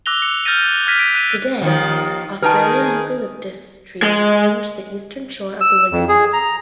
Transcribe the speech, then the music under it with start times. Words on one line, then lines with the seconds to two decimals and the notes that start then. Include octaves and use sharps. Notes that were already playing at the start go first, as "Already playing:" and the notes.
Today, Australian eucalyptus trees fringe the eastern shore of the lagoon.
0.06 D6 E6 F#6 A#6 F7 G7
0.22 C#7
0.45 F6 G6 A6 A#6 D#7
0.87 F6 G#6 A#6 B6 D#7
0.99 D7
1.14 F#6 D#7
1.62 D#2 D#3 F3
2.42 D#3 G#4 A#4 B4 A5
4.03 G#3
5.61 E6
5.92 F2
6.09 G#4
6.33 A#5